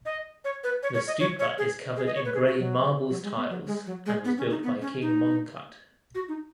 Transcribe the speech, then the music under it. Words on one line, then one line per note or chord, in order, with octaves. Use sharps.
The stupa is covered in grey marbles tiles and was built by King Mongkut.
D#5
C#5
B4
C#5
C#5
D#5
C#5
C#5
G#4
G#4
D#5
C#5
B4
G#4
F#4
F#3
F#3
G#3
B3
F#3
G#3
F#3
G#3
B3
C#4
D#4
B3
C#4
D#4
F#4
D#4